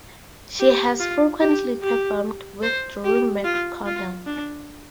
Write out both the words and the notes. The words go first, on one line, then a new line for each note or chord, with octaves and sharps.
She has frequently performed with Drew McConnell.
G4
F4
G4
G4
C5
G4
F4
F4
D4